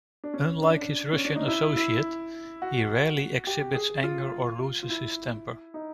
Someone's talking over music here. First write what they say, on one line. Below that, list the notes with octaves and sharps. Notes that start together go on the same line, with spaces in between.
Unlike his Russian associate, he rarely exhibits anger or loses his temper.
D4
C#4
D4
C#4
D4
D#4
E4
E4
F#4
G4
G#4
F4
F4
E4
D#4